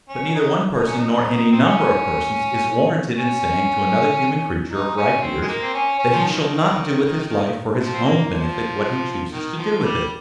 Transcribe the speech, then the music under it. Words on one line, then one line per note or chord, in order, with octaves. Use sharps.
But neither one person, nor any number of persons, is warranted in saying to another human creature of ripe years, that he shall not do with his life for his own benefit what he chooses to do with it.
C#4
D#4
D#4
C#4
D#4
C4
C#4
C#4
D#4
C#4
C4
G#3
A#3
C4
C#4
C#4
F3
D#3
F3
C4
A#3
F3
D#3
F3
G3